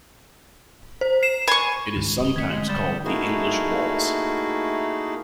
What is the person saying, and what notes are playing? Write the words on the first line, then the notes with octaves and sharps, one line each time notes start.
It is sometimes called the "English Waltz".
C5
C7 E7
G#5 B5 C#6
C#2 G#2 D#3
F#2 D#6 G7
C#2 D#3 A3 A#3 G#6 B6 C#7
D3 G#3
G3 G6 A6 E7
A3 A#3 D#4 E4 F#4 G#4